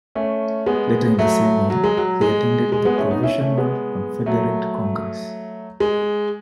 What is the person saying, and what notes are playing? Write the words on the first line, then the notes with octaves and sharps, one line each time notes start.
Later in the same year, he attended the Provisional Confederate Congress.
A3 C#4
G#3 B3
F#3 A3
F#3
G#3
F#3
G#3
G#3
G#3 B3
A3 C#4
B3 D#4
C#4 E4
A3 C#4
G#3 B3
F#3 A3
G#3